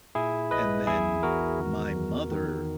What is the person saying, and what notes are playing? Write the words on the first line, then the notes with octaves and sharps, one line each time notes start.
And then my mother
A#2 E4 G#4
A#1 B4 D#5
E2 E4 G#4
E2 F#4 A#4
D#3
E2
D#3